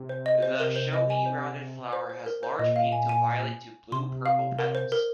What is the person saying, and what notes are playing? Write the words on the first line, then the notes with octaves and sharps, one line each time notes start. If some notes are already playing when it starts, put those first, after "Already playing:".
The showy, rounded flower has large pink to violet to blue-purple petals.
Already playing: C3
C5
D#5
C5
A#4
C5
D#5
G#5
C5
C5
C5
A#4
C5
A#2 D#5
F5
G#5
G#5
C3 C6
F5
A#4
C5
A#4